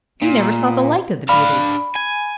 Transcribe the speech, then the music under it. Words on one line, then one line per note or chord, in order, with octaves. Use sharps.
You never saw the like of the beauties!
A#2
D4 F5 B5
G#5